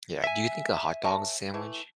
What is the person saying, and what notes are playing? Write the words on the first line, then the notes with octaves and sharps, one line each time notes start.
Yeah, do you think a hot dog is a sandwich?
E5 G#5
A#4 C#5 A5
E3 A3 E4